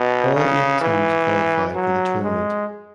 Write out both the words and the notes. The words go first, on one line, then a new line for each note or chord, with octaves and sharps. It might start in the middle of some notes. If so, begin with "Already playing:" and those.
All eight teams qualified for the tournament.
Already playing: B2
C#3
E3
F#3
G#3